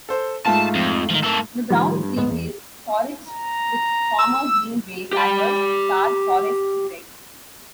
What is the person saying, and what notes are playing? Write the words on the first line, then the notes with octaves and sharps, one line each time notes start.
The Browns replaced Skorich with former Green Bay Packers star Forrest Gregg.
A4 C5
G#2 A3 F4 A5
F2
D#3 F3
A#3 A4
A2 D#3 F3 G3
G2
D1 G#2 B3
E2
A#5
E6
G4 B5